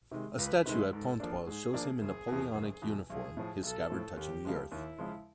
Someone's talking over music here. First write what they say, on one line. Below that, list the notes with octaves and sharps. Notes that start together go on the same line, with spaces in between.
A statue at Pontoise shows him in Napoleonic uniform, his scabbard touching the earth.
C3 D#3 G#3
C#2 B4
C3 D#3 G#3
G#2 A4
F3 A#3 D4
G#2 G#4
F3 A#3 D4
F#1 G#4
E2 B2
F#1
E2 B2
B1 G#4
A2 F3
B1 A4
A2 F3
D#2 G4
C#3 F3 G#3
D#2 E4
C#3 F3 G#3